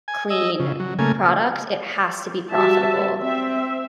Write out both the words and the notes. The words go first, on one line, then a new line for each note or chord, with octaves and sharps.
clean product, it has to be profitable.
G#5
D#5 E6
C#3
F#3
C#3 A3 A#3 G#5
G3 F#4 G4 E5 A5
C4 E5